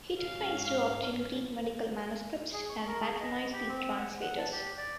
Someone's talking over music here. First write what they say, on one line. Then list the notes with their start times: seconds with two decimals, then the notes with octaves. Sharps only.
He took pains to obtain Greek medical manuscripts and patronized the translators.
0.19 G#2 C#4 F5
2.53 G#4
2.69 C#6
2.87 A#4
3.02 G#4
3.20 D#5
3.52 G4
3.69 C4
3.98 F#5
4.21 F#5
4.38 A5
4.52 G4
4.78 D5